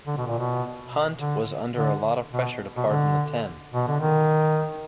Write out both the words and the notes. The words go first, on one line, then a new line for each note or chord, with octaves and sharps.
Hunt was under a lot of pressure to pardon the ten.
D3
B2
A#2
B2
D3
D3
B2
B2
D3
B2
D3
D#3